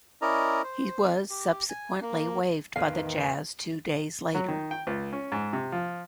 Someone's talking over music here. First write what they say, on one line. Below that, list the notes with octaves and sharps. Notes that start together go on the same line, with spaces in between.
He was subsequently waived by the Jazz two days later.
C#4 E4 A#4 D5 D#5 A#5
C5
G4
G#5
A#3
E2 A2 C3 D#3 B4 F5
F#3
D#3
G5
C#2
C#4
G#2
C3
F3